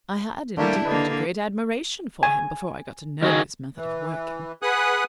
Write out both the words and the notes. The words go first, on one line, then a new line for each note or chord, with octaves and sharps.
I had, indeed, a great admiration for him, before I got to know his method of working.
D3 G3 A3 A#3 D4 E4 G4
D3 A#3 B4 D#5 A5
G#5
D#3 F#4 G#4
E3
G#4 B4 F#5 G#5 D#6 F#6